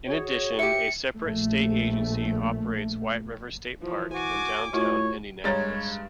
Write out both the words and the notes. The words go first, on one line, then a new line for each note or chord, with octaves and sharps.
In addition, a separate state agency operates White River State Park in downtown Indianapolis.
F#4 G#4 C#5
G4 E5 C#7
A#1 A3
E3 F3
F#4 G#5 D6
A2 A3 F4 F#4 C#5
G2 G#3 C#5 A#5 A6